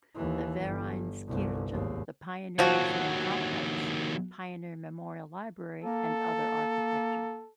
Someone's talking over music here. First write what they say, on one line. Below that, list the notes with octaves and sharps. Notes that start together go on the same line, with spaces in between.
The Vereins Kirche, the Pioneer Museum Complex, Pioneer Memorial Library, and other architecture.
D#2 E3
G1
G1 C2
G#1 D#2
D#2 F3 F#3 F#4
A#3 A4